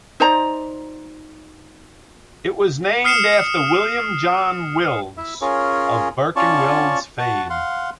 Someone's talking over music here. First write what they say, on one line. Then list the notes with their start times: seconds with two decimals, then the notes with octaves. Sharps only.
It was named after William John Wills of Burke and Wills fame.
0.20 D#4 C5 D5 A#5
3.04 D#6 F6 C7 C#7 E7
5.17 E4 E5
5.41 C#4 F4 G#4 A#4 C#5
6.36 C#4 F4 C#5 D5 A5 C#6
7.19 F#4 F#5 A5
7.50 F5 F#5 C6